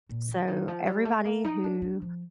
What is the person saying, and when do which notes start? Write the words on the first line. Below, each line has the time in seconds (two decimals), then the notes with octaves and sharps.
So, everybody who
0.09 A#2
0.28 D3
0.48 D#3
0.68 F3
0.87 G3
1.05 A3
1.25 A#3
1.44 D#4
1.64 D4
1.82 D4
2.02 F3